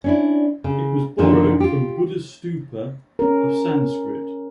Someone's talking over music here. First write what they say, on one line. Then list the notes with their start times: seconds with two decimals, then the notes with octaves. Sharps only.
It was borrowed from "buddhastupa" of Sanskrit.
0.04 C#4 D4 E4
0.64 C#3
1.18 F#2 A#2 D3 D#3 F3
1.60 F4 G4
3.19 C#4 A#4